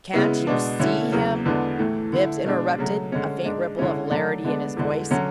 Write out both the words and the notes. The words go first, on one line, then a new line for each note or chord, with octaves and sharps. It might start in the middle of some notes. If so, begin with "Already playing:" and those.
"Can't you SEE him?" Bibbs interrupted, a faint ripple of hilarity in his voice.
C#3 G#3 B3 E4
B2 G#3 B3 D4
D3 A3 C#4 E4
E2 C#3 F#3
E2 D3 G#3 B3 D4
A2 E3 A3
D3 A3 E4
B2 G#3 D4
C#3 F#3 A3
D3 G#3 C#4
G#2 G#3 D4
D3 G#3 C#4 E4
D3 F#3 A3 D4
D3 G#3 B3 D4
E2 D3 G#3
D3 F#3 C#4